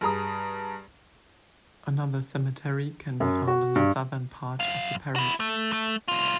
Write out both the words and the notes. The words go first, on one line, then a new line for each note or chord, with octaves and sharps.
Another cemetery can be found in the southern part of the parish.
G2 G#4 A#5 D#6
F#2
F#4
G2
F#2 F5
E4 F#4
A3
A3
C2 F4